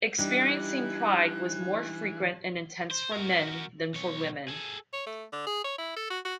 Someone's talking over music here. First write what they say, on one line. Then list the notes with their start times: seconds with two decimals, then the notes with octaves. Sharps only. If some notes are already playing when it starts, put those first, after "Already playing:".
Experiencing pride was more frequent and intense for men than for women.
0.19 E3 G3 D4 D#4 G4 F#6
2.91 C5
3.13 F#4 A#4
3.94 B1 C#5
4.48 G#4 A4
4.93 C#5
5.06 A3
5.33 D3
5.47 G#4
5.64 C#5
5.78 E4
5.96 A4
6.10 F#4
6.25 F#4